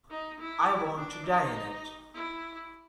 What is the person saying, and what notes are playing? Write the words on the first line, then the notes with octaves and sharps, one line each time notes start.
I want to die in it.
D#4
E4
D4
D#4
E4